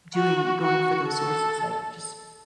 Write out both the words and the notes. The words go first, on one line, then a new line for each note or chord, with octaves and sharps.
doing going for those sources, like just
F#4
F#4
A4